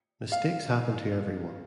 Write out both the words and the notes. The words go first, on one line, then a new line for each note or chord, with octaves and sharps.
Mistakes happen to everyone.
F5